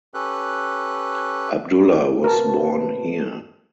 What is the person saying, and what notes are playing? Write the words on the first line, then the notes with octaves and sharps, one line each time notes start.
Abdullah was born here.
C#4 G4 A4 B4 F#6
A2 C3 F#4 A#4 B4 A5